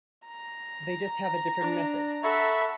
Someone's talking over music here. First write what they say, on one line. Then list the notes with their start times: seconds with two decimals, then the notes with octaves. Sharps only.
They just have a different method.
0.27 A#5
1.61 D4
2.23 A4 E5 F#5 B5 C#6